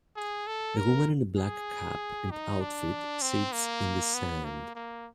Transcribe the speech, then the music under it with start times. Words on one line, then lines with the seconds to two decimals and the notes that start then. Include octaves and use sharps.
A woman in a black cap and outfit sits in the sand.
0.16 G#4
0.47 A4
0.77 A#4
1.38 G#4
2.31 D#4
2.61 D4
3.22 C4
3.53 A#3
4.14 B3
4.44 A#3
4.75 A#3